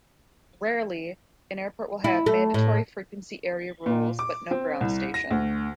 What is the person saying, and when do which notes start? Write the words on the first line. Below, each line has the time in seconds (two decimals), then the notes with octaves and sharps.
Rarely, an airport will have Mandatory Frequency Area rules, but no ground station.
2.04 E4
2.26 A3
2.54 A2
3.86 A#2
4.19 D6
4.51 C4
4.81 C2
5.14 A#6
5.31 D2